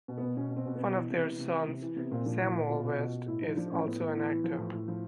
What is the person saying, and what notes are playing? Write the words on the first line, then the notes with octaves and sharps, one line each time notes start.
One of their sons, Samuel West, is also an actor.
B2
B3
B2
B2 C#4
B2
C4
B2
B3
B2
E3
C3
E3
C3
E3
C3
E3
C3 B3
A#2 C4
F3 D4
A#2 E4
A#2 F4
B2 F4
B2
B2
B2
A2 E4
F3 D#4
F3 D4
A2 C#4
A2 B3
A2
E3
E3
F3
A2
A2
F3